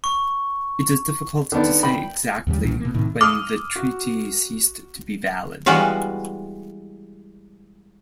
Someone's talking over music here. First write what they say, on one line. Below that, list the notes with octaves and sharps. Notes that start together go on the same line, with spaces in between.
It is difficult to say exactly when the treaty ceased to be valid.
C#6
D3 D#3 B3 D5
G5 B5
D#2 C#3 F#3 G3
B1 A#2 E3
B2 A#3
A2 C3 D#3
D6 D#6 F6
F#4
E3 G3 G#3 B3 F#4 F5